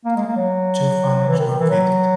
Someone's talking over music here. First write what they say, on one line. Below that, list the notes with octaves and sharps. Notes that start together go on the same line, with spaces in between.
Two funnels were fitted.
A#3
G#3
A#3
F#3
E3
D#3
D#3
E3
F#3